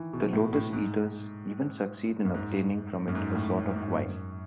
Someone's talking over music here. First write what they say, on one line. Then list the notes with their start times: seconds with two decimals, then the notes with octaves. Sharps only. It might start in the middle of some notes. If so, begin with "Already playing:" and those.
The lotus-eaters even succeed in obtaining from it a sort of wine.
Already playing: D#3 E3
0.13 B2
0.33 A2
0.53 A2
0.73 G#2
2.25 F#2
2.34 G#2
3.08 F#2
3.15 G#2
3.35 A2
3.55 A2
3.76 G#2
3.96 F#2